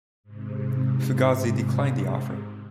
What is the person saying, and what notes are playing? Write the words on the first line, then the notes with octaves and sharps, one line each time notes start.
Fugazi declined the offer.
G#2 C3